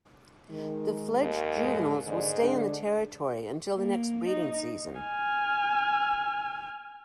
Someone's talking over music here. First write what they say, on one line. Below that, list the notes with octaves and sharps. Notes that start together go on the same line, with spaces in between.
The fledged juveniles will stay in the territory until the next breeding season.
D#3 G#3
D#2
F2 G#2 G#3
D#2 G#2 D3 D5
D3 G#3 D4
A#3
D#4
G#5 F6